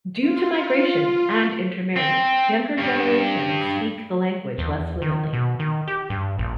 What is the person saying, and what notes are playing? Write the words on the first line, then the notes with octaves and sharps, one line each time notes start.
Due to migration and intermarriage, younger generations speak the language less fluently.
F4
C4
G2
E2
D#3
B2
D#3
G4
G2
A#1